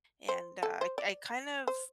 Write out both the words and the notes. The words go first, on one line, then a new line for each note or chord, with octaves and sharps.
and I I kind of
C5
A4
C5
D5
C5